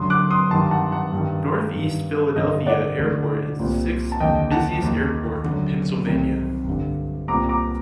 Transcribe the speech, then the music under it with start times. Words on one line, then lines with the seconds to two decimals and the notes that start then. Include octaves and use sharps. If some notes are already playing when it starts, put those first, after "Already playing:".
Northeast Philadelphia Airport is the sixth busiest airport in Pennsylvania.
Already playing: F#2 D3 C6 D#6
0.10 D6 F#6
0.31 C6 D#6
0.51 G2 D#3 A5 C6
0.71 F#5 A5
0.92 F#5 A5
1.12 G2 D#3
1.74 G2 D#3
2.36 G2 D3 D#5
2.66 D5 F#5
2.97 D2 D3
3.59 C2 A#2
4.12 A5
4.20 D#2 D3 D#5 G5
4.52 F#5 A5
4.82 D#2 D#3
5.44 F#2 D3
6.05 C2 C3 D#3
6.67 G2 D3
7.28 C2 A#2 A#5 D6
7.49 A#5 D6